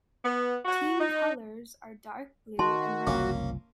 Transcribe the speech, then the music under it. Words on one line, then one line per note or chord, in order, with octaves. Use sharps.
Team colours are dark blue and red.
B3
F#4
D#4
D#3 F#4 A5 C6
F#1 C2 F3 A#3 C#4